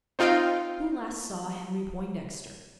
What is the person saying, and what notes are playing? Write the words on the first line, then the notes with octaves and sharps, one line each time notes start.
Who last saw Henry Poindexter?
C4 D#4 F4 F5 G5